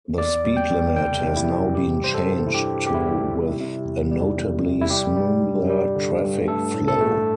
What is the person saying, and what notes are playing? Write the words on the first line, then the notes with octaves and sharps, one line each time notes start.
The speed limit has now been changed to with a notably smoother traffic flow.
E2 D5
G3
G5
E2
C3 G5
C3
E4
E3
G2 G4
G3 C5
A4
G2
E4
G2 G4
G2
G4
E4
G3
C3
C3
E2
G3
E2
C3
E4
G3 G4
G3
G2
G3
D3
G2
A3 A4
A2
A4
A3